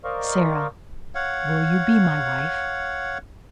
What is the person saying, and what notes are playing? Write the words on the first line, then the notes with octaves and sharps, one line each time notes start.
"Sara, will you be my wife?"
A#4 C5 D5 D#5 F5 C#6
C#5 F5 F#5